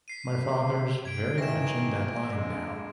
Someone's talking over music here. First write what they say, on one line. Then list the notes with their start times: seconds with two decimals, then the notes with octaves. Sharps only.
My father’s very much in that line now.
0.08 B6 C7 D#7
1.05 G#6 D7
1.38 D#3 E3 A#6 D7 E7
2.35 D3 G#3